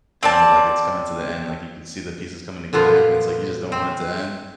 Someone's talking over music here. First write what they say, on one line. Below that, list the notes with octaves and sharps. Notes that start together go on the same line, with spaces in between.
dang it, like, it's coming to the end, like, you can see the pieces coming together, and it's, like, you just don't want it to end.
C4 D5 A5
A#2 D3 B3 F4
C4